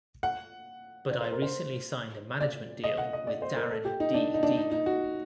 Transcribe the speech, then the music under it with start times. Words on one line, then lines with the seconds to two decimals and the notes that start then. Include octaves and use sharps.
But I recently signed a management deal with Darrin 'Dee' Dean.
0.23 F#5
1.11 D5
1.21 C5
1.32 A#4
1.42 C5
2.41 D5
2.84 D#5
2.98 F#5
3.13 D#5
3.27 D5
3.42 C5
3.56 A#4
3.71 A4
3.85 G4
4.00 D#4
4.14 D4
4.34 D#4
4.43 D4
4.57 D#4
4.71 D#4
4.86 F#4